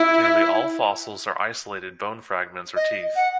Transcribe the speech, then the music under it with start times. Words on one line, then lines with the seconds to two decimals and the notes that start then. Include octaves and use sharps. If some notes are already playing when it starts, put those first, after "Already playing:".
Nearly all fossils are isolated bone fragments or teeth.
Already playing: E4
2.76 D#5
3.16 F#5